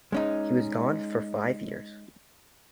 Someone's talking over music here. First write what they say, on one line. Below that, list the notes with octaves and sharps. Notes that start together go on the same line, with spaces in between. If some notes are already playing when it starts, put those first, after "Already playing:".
He was gone for five years.
G#3 C#4 D#4